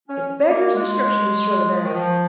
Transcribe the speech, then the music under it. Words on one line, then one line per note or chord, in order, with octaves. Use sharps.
It beggars description, Miss Shirley, ma'am.
C#4
A#3
G#3
F3
D#3
F3